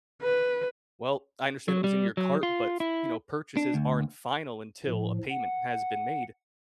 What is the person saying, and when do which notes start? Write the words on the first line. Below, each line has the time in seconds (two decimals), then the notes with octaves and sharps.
"Well, I understand it was in your cart, but, f you know, purchases aren't final until a payment has been made,
0.22 B4
1.68 F#3
1.84 G3
2.17 F#3
2.43 F4
2.80 E4
3.57 D4
3.74 D2
4.86 A2 F3
5.30 F#5